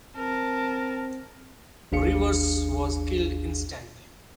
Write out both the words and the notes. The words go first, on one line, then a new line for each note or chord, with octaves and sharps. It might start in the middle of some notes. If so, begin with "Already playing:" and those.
Rivers was killed instantly.
C4 A#4 A5
G#1 D#2 D4 G#4 F5 C#7